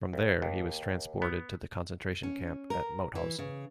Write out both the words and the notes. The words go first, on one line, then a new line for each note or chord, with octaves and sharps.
From there, he was transported to the concentration camp at Mauthausen.
C2
D#2
B3
C#4
A#4
E3
C#3